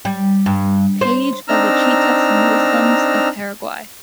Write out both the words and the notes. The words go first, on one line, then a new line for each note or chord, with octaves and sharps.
Page of the Chiitas Muslims of Paraguay.
G3
G2
C5
C4 D4 D#4 A#5 E6 F6